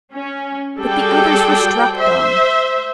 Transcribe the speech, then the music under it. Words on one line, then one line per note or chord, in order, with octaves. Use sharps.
But the others were struck dumb.
C#4
G3 F#4 G#4 A4 D5 G5
C5 E5